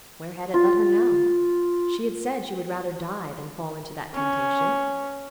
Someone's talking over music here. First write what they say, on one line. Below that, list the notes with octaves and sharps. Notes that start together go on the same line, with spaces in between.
Where had it led her now? She had said she would rather die than fall into that temptation.
F4
C#4